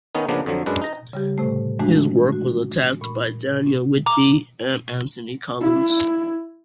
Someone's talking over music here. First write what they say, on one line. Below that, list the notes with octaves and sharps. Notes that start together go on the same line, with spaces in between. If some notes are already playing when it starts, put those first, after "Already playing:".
His work was attacked by Daniel Whitby and Anthony Collins.
D#3 B3 C#4 D#4
C#3 F3 A#3 B3 D4
F2 D3 F3 F#3
F#2 G#3 D4 B4
D#4 A#5
C#3 G3 G4
A2 C3 A3
E3 F3 G#3 A3 D4 F#4
A3 F#4
A#2 B5 C#6
A#5 D6
E4